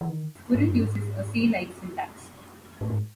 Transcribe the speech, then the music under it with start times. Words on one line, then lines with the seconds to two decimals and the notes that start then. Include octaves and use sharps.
Squirrel uses a C-like syntax.
0.01 E3
0.09 D#3
0.55 G#2
0.68 F#2
0.81 G#2
2.81 A2
2.90 G#2